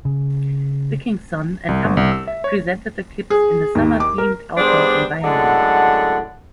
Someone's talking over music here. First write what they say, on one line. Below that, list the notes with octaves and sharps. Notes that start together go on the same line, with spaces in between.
Wikingsson and Hammar presented the clips in a summer-themed outdoor environment.
C#3
C2
G1
C2
E6
E5
C#5
G#4
D#2
D6
A#4
G3 B3 D4 G#4 C5
F#2 A2 D3 G#3 F#5 A5